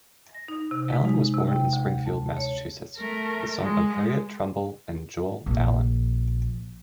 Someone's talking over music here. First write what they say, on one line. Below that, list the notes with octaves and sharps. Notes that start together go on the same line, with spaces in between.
Allen was born in Springfield, Massachusetts, the son of Harriet Trumbull and Joel Allen.
A#6
D#4
C3
G#3
D#4
C3
G5
D2
A5
C#5
A3 A#4
G#3
A#1